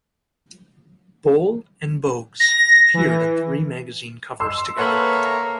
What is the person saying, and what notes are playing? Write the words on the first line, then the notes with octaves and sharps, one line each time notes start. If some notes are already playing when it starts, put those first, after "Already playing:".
Bol and Bogues appeared on three magazine covers together.
A#6
E3
C6 E6
A#3 A4 B4 C#5 E5 F#5 B5
A#5